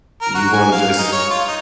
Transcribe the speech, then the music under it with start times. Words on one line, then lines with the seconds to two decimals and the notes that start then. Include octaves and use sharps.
You wanna just
0.21 A#4
0.35 F#4
0.53 G#5
0.72 F5
0.98 D#4
1.12 C#5
1.30 F4
1.48 D#4